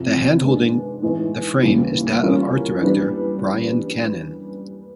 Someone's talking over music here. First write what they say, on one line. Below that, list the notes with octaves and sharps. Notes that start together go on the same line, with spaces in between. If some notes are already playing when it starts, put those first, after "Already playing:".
The hand holding the frame is that of art director Brian Cannon.
Already playing: F2 C3 F3
D#3 G#3 B3 D4
A2 E3 G#3 B3 D#4
D#2 C#3 E3 G3
E3 G3 A#3 C#4 F4
E3 G3 B3 D4